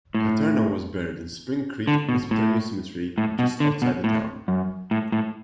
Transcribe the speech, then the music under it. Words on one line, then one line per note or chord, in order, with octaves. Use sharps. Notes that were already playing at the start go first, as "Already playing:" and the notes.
Paterno was buried in Spring Creek Presbyterian Cemetery just outside the town.
A2
D3
B2
A2
A2
B2
D3
B2
A2
F#2
A2
A2